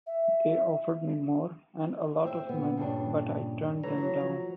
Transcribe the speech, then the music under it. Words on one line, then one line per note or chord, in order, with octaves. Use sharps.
They offered me more and a lot of money, but I turned them down.
E5
C4 E5
A#2 B3
G2 C#3 D4
E3 A3 C#5 A#5
F#3
F3